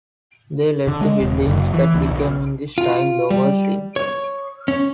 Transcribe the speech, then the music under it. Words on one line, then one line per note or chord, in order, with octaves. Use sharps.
They let the building that became in this time "Blowers Inn".
D3
G#3
D#1
F#1
E3
D2
B1
F4
G3
C#5
C#4